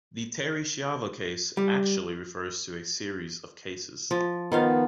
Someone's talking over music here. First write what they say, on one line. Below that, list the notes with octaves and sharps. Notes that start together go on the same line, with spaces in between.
The "Terri Schiavo case" actually refers to a series of cases.
G3
F3
D#3 F3 B3 F5